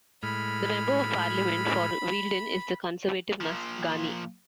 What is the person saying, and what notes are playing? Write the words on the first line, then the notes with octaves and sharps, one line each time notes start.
The Member of Parliament for Wealden is the Conservative Nus Ghani.
A2 G#3 B5 F6
A#2 F3